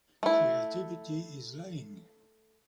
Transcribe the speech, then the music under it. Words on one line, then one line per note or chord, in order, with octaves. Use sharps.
Creativity is lying.
A3 E4